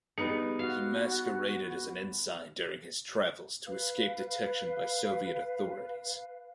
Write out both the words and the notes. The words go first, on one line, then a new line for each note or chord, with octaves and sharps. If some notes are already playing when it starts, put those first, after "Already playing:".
He masqueraded as an ensign during his travels to escape detection by Soviet authorities.
G3 B3 D#4 G#4 C#7
F#4 F5
B4 F5